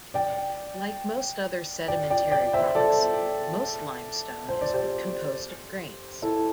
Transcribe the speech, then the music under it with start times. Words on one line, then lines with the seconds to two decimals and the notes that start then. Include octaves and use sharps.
Like most other sedimentary rocks, most limestone is composed of grains.
0.14 D5 G5
1.88 D5 G5
2.10 D5 G5
2.31 D5 G5
2.53 C5 E5
2.75 A4 D5
4.49 C5
4.61 D5
4.74 G4 C5
6.22 E4 A4